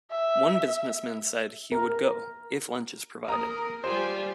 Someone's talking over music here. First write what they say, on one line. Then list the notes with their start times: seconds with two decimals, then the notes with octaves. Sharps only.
One businessman said he would go...if lunch is provided.
0.11 E5
1.72 A#4
3.28 A#3 A#4 A#5 D#6
3.84 G3 F4 G4 C5 D5 G#5